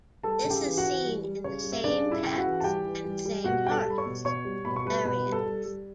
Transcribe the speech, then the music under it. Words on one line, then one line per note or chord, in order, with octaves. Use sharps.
This is seen in the "Same Pets" and "Same Hearths" variants.
G3 A4 A5
C#3
G4 G5
E3
F#4 F#5
E3
G3
G3
C#3 C#5
G3
E5
C#3 D4 D5
G3
E4 E5
C#3 G5
F#4 F#5
E3
A5
G3 G4 G5
E3
G3
G3
B2 F#4 F#5
G3 G5
A4 A5
G3
B5
C#5 C#6
B2
B2 C#5 C#6
G3
B2 B5
C#6
G3 B4 B5
B2 B4 B5
G3
A4 A5
G3
G3